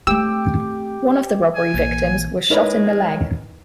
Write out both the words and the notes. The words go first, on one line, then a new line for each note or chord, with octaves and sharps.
One of the robbery victims was shot in the leg.
A3 C4 G4 E6
G#5
A#1 E3
G#3 D#4 E4 A#4 B4 C#5